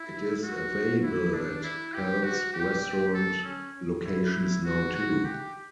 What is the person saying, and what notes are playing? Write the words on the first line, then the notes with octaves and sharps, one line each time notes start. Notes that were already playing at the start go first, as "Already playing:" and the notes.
It is available at Pal's restaurant locations now too.
Already playing: E4
F#4
E4
D4
E4
G4
F#4
G4
A4
C#4
E4
F#4
F#4
G4